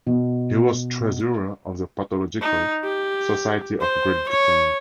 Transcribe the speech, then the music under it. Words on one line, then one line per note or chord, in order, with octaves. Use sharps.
He was treasurer of the Pathological Society of Great Britain.
B2
D#4
G4
C5
C#5